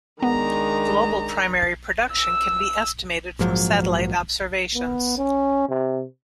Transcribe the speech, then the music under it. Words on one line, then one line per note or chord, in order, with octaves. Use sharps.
Global primary production can be estimated from satellite observations.
D#3 G#3 B3 D4 A#5
E6
A#1 G#2 F3 F#3
B3
C#4
C3